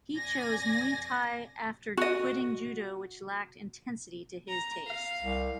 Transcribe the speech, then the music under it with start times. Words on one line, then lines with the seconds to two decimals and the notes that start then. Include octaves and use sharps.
He chose Muay Thai after quitting Judo which lacked intensity to his taste.
0.18 F2 D5 G#5 A#6
1.97 F#4 D#5
4.49 A#5
4.87 F5
5.22 C2